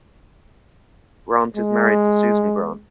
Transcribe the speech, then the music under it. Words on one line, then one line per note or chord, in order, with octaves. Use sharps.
Grant is married to Susan Grant.
G#3